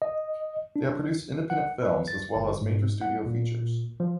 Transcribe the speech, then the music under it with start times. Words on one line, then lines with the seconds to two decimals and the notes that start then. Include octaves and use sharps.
They have produced independent films as well as major studio features.
0.02 D#5
0.76 D4
1.50 F#5
1.82 B4
2.08 A6
2.35 G1
2.61 G#2
3.01 F#5
3.26 A#2
4.00 F3